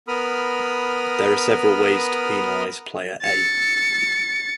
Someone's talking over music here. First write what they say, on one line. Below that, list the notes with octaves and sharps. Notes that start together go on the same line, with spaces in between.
There are several ways to penalize Player A.
B3 A#4 B5 D#6 F6
A6 C#7